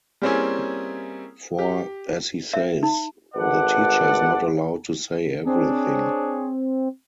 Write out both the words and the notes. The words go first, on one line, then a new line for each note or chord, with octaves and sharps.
For, as he says, the teacher is not allowed to say everything.
G3 A#3 C4 C#4 E4 G#4
G4
E5
D#4
G#1 A4 B4 D5 F#5
C4 D4 G#4 C#5